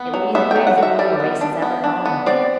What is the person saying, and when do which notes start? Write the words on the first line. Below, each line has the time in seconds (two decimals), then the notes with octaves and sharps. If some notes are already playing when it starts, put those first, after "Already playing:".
It will be the greatest boon the race has ever known.
Already playing: B3
0.14 F#3
0.35 B3 E5
0.51 F#3 G5
0.67 F#5
0.78 F#3 E5
0.99 G3 D5
1.20 B3
1.41 D4
1.62 B3
1.84 D4
2.06 B3
2.26 C4 D5